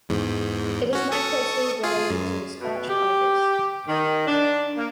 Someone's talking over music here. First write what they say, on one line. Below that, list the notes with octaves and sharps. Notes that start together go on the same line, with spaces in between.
It is not closely related to the Scotch argus.
E2 G#2
C#4 F#4
A4 C#6 D#6
F4 G#4
F#2
B2
G4
D#3
D4
A#3